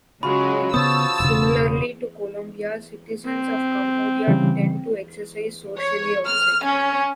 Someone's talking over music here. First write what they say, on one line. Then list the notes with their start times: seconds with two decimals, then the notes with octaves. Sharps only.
Similarly to Colombia, citizens of Cambodia tend to exercise socially outside.
0.23 C#3 F#3 G#3 F4 F#4 B5
0.74 C#3 B3 C5 C#5 A5 D#6 E6
1.20 E1 C#3
3.25 C4
4.28 C#3 E3 G3
5.78 C#5
6.25 F6
6.65 C#4